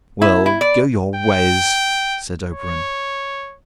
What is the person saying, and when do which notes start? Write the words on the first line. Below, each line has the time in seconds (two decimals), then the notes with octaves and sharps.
"Well, go your ways," said Oberon.
0.22 E4
0.46 E4
0.61 D5
1.15 G5
2.54 C#5